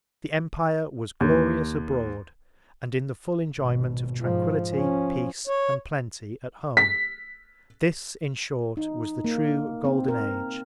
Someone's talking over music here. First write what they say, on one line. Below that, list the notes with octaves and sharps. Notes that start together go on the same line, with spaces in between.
The Empire was glorious abroad, and in the full Enjoyment of Tranquility, Peace and Plenty, at home: This, in short, was the true golden Age.
D#2
G#1 B2
G#2 F3
F3 C#4
C#5
B6
D#4
A#3
C4
A#4